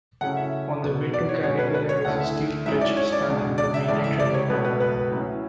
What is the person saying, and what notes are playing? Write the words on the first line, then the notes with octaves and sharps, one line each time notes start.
On the way to Carigara is a steel bridge spanning the Mainit River.
C#3 F#3 A3 C#4 E4 F#5
E5
B2 F#3 B3
D5
C#5
B2 G#3 C#4 C#5
B4
B4
C#5
D2 D3 A3 E4 F#5
E5
G#2 F#3 C#4 E4 E5
D5
C#5
D5
C#2 B2 G#3 D4
D5
E5
C#2 C#3 E3 A3 D5
E5
D5
C#5
C#2 B2 A3 B4
B4
B4
A2 F#3 C#4 E4